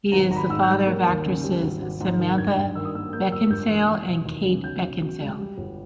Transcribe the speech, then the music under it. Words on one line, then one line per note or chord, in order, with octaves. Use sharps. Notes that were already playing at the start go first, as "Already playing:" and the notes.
He is the father of actresses Samantha Beckinsale and Kate Beckinsale.
G#1 A#5
G#1 A#5
B5
G#2 E6
G6
G3
A#3
D#2
C#3
G3
G#1
G#1
G#2
D#3
G2 G#6
G2
D#3 E6
D#6
A#3 E6
A#3 G6
G1 E6
G2 G6
E3 E6
E3
E1
D#2
C#3
B1 G6
B1
B2
G#3
G3
G1